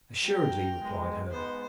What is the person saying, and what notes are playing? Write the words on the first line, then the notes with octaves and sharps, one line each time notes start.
"Assuredly," replied Herbert.
A#1 F#3 A#4 G5
B1 G#3
G#2 G#3 B3 C5